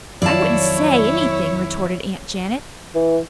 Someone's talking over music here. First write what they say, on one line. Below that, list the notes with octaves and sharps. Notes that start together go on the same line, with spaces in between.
"I wouldn't SAY anything," retorted Aunt Janet.
F2 D#3 F#3 E4 C#5 D5 F5 A5
E3